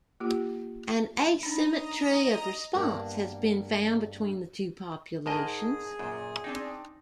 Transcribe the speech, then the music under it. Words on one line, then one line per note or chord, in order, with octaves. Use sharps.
An asymmetry of response has been found between the two populations.
A#3 F4 G4
D4 D#4 D#5 A#5 D#6
G2 A#3 B3 D4 A#4 F#5
G#2 G#4 A#4 D#5 A5
F#2 A#2
C4 D4 D#4 G5